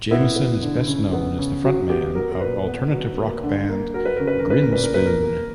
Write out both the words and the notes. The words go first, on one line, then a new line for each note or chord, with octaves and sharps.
Jamieson is best known as the front man of alternative rock band Grinspoon.
B3 E4
B3
D3
C#3
B3
C#3
F#3 F#4
B3 G4
F#3 A#4
A#4
A#2 B4
B3
F#3
A#3
D3
A#3
F#3 A#4
B4
C#3 A#4
B4
A#4
C#3 B4
A#4
A#2 B4
A#4
A#3 B4
A#4
A#3